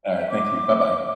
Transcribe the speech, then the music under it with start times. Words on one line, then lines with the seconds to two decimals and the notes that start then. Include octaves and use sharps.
All right. Thank you. Bye-bye.
0.17 E5
0.30 D6